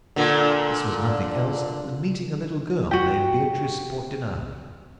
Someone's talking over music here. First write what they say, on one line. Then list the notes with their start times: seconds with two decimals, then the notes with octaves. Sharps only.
This was nothing else than meeting a little girl named Beatrice Portinari.
0.16 A#2 D3
2.91 F#4 G4